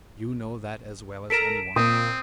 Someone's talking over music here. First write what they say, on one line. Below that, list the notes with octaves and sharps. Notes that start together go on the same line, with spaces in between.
You know that as well as any one.
A4 A#4 A#5 B6 D7 E7
A#2 A#3 C4 D#6